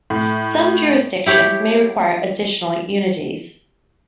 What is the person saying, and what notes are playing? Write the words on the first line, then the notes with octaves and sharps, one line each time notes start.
Some jurisdictions may require additional unities.
A2
E4 G4 C#5